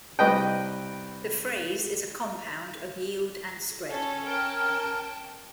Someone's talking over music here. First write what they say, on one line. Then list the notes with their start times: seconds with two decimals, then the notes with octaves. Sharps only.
The phrase is a compound of yield and spread.
0.19 C2 B4 D#5 G5
3.90 C#4 A4 C#5
4.26 A#4 G5 A5 F6